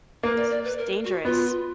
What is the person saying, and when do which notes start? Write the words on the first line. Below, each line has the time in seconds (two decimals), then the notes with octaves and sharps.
S dangerous.
0.23 A#3 B4
0.37 D5
0.50 D5
0.64 B4
0.78 A#4
1.05 F#4
1.25 B3 F4
1.45 F4